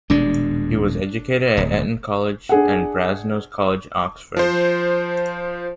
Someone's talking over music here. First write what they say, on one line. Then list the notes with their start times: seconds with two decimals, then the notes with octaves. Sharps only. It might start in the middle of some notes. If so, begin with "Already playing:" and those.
He was educated at Eton College and Brasenose College, Oxford.
0.10 D#1 B2 G#3 D4
1.57 D1
2.49 D4 G#4 F#5
4.37 F3 C5